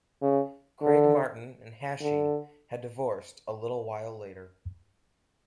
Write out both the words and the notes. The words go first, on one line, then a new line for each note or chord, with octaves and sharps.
Craig-Martin and Hashey had divorced a little while later.
C#3
D3
D3